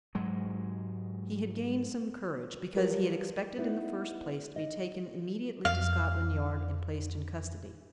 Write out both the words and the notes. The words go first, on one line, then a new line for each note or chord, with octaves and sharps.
He had gained some courage, because he had expected in the first place to be taken immediately to Scotland Yard and placed in custody.
G#2 F#3 G#3
F3 G3 A#4 B4
B3 D#4 E4 B4
D#5
F2 F5